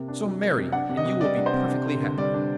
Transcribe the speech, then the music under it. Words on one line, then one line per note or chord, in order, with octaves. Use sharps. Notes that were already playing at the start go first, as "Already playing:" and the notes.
So marry, and you will be perfectly happy.'
Already playing: C3 A#3
D4
F#3
A#3
C3
D4 F#5
C3
D#5
C3
G3 D5
D4
C5
C3
D4
D3
D3
G3 D5
D4